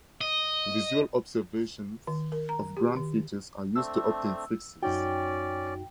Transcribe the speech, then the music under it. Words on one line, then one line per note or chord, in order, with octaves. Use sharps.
Visual observations of ground features are used to obtain fixes.
D#5
D#3
A#4
A#5
G4
D#3
A3 C4 D4 E6
F#2 C#4 D#4 F#4 D5 G5